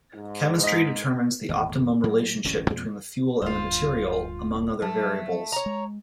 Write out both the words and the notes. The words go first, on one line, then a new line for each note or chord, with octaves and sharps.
Chemistry determines the optimum relationship between the fuel and the material, among other variables.
G#2
D#5 B6
G#1 E2 A#2
A2 F#3 A#3
D1 A1 G#2 C#4
E2 A#2 G#3 C4
D1 D2 G2 F4 C5
F#3 A3
C#5 A#5
G#3